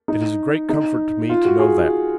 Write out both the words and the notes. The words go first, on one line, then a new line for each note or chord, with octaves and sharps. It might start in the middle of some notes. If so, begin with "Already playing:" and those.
It is a great comfort to me to know that.
D#4
D#4
F4
F#4
G#4